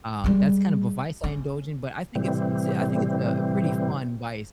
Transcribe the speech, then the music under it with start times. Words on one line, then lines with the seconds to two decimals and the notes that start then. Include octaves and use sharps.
um, that's kind of a vice I indulge in, but I think it's it's I think it's a, a pretty fun vice
0.24 G3 G#3
1.24 C#4
2.15 A2 C3 E3 G3 C4